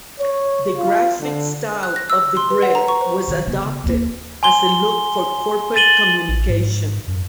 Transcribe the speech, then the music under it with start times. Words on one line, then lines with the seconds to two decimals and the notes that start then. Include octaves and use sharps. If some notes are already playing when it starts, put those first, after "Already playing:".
The graphic style of the grid was adopted as a look for corporate communication.
0.20 C#5
0.77 F4
1.21 D3
1.83 F#6
1.96 A#6
2.10 E6
2.37 C6
2.50 B4
2.62 F#5
2.75 A#5
2.88 C#6
3.01 C5
3.28 D#3
3.47 C#3 B3
3.84 D#2 C4
4.43 G#5 C6 G7
5.76 A6 D#7 F#7 G7
6.28 A1
6.49 G#2
7.07 F#2